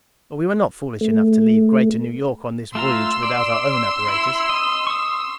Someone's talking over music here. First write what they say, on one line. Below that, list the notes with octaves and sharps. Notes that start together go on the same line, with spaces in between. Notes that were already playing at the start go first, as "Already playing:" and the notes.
But we were not foolish enough to leave Greater New York on this voyage without our own apparatus.
A3
A3 F4 A#5 C6 E6
D5
E4
D#5
C#6 D#6